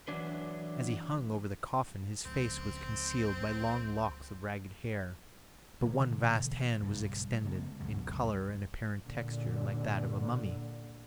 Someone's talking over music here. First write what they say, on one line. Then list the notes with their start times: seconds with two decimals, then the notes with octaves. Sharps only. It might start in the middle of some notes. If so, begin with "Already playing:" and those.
As he hung over the coffin, his face was concealed by long locks of ragged hair; but one vast hand was extended, in colour and apparent texture like that of a mummy.
0.08 E3 F#3 D4 B4
2.25 C#2 C#3 F3 C4
5.82 B2 D3 E3 A#3
6.82 B1 G2 C#3 G3
7.45 C#3 G#3 A3 B3
7.80 C#2 F#2 B2
9.05 A#2 D3